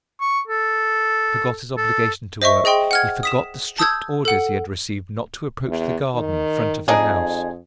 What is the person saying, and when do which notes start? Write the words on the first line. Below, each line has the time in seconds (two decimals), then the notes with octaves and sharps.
He forgot his obligation to work; he forgot the strict orders he had received not to approach the garden-front of the house.
0.20 C#6
0.47 A4
1.77 A4
2.42 C5 D#5 E5 C#6
2.65 G#4 D#5 G5 C6
2.91 F#5 F6 G#6
3.23 D#6 B6 E7
3.78 A5 D#6 E6 G6 G#6
4.25 A4 F#5
5.67 E2
6.15 D#3
6.88 F2 D4 D#4 G#4